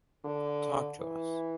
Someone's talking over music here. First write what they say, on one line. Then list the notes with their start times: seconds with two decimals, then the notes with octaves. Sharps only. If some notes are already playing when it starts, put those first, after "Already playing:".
Talk to us.
0.25 D3
0.99 E3